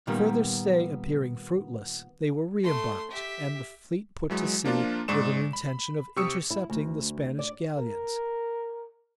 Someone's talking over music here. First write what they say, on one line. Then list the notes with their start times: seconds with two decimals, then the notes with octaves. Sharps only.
Further stay appearing fruitless, they were reembarked; and the fleet put to sea with an intention of intercepting the Spanish galleons.
0.07 A#2 D#3 G3 A#3 B3
2.64 A3 C6
3.11 G4 E5
4.30 E3 F#3 G#3
4.64 F3 A#3 D4 F4
5.08 G#2 G#3 D5 C#6 E7
5.53 B5
6.16 C3 G4 C#6 D#6 E6 C#7
6.50 E4
6.70 D2
7.39 D5
7.77 A#4